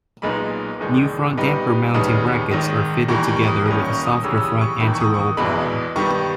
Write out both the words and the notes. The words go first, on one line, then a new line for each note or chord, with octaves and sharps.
New front damper mounting brackets are fitted together with a softer front anti-roll bar.
B1 A#2 G#3 B3 D#4 B5
E1 D#2 D#3 G#3 D#4
G1 G2 G3 B3 D#4
D#2 C#3 G3 B3 D#4 D#6
G#1 G#2 D#3
E2 D#3 G3 A#3 C#6
C#6
D#6
G1 G2 D#3 A#3 C#4 D#6
C#6
D#6
E2 C#3 G3 C#4 E6
E6
D#6
C#6
E2 D#3 A#3 B5
C#6
D#6
C#6
D#6
E1 E2 B2 G#3 B5
G2 D#3 G3 B3 C#6